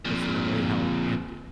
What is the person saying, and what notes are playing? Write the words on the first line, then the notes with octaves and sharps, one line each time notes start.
'cause of the way how it ended.
F2 A#2